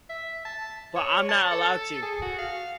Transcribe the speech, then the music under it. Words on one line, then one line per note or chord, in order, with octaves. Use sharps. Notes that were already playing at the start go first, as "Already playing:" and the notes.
But I'm not allowed to.
E5
A5
C#5
A5
A4
G#4
F#4
F5